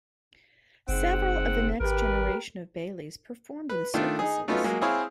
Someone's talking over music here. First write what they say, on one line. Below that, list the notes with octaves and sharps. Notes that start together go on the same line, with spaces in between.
Several of the next generation of Baileys performed in circuses.
F#1 G#2 C4 F#5
G#1 G4 A#4 B4
B4
D#3 A3 D4 F4
D#4 G#4
F#3 A3 B3 C#4 D#4 F4
F#3 G#3 A#3
C4 E4 G#4 C#5 F5